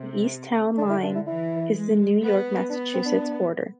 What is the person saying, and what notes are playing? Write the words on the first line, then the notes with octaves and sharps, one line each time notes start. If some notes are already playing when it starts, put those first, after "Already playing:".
The east town line is the New York - Massachusetts border.
Already playing: C3
D3 D4
E4
D4
E4
E3 E4
G#3
B3
B3 D4
C4
D4